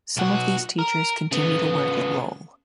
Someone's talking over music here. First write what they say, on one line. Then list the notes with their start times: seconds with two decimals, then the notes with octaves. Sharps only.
Some of these teachers continue to work at Lowell.
0.17 B1 F#4
0.79 A#4
1.31 C#3 B3